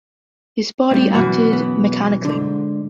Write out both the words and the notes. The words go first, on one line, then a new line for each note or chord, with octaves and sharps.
His body acted mechanically.
A2 G3
F#2 B2 E3 F#4
B3
G#2 D3